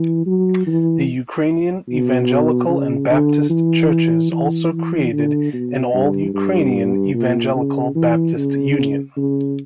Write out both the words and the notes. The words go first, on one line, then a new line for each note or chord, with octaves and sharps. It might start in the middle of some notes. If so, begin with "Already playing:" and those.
The Ukrainian Evangelical and Baptist churches also created an All-Ukrainian Evangelical-Baptist Union.
Already playing: E3
F#3
E3
B2
C#3
D3
E3
E3
E3
D3
B2
G2
G2
A#2
C#3
E3
C#3
C#3